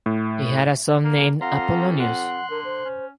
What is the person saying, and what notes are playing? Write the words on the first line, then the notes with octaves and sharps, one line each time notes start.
He had a son named Apollonius.
A2
A#3
F2 F5 F#5 A#5 C6
F#5 C6 F#6
D3 A#4
C5
C#4